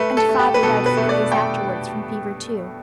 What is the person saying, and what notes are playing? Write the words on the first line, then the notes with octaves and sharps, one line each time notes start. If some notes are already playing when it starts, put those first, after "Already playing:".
And father died four days afterwards from fever too.
Already playing: A3 B4
A4
A3
G4
B4
B2 A4
B4
A3
D5
A3 G5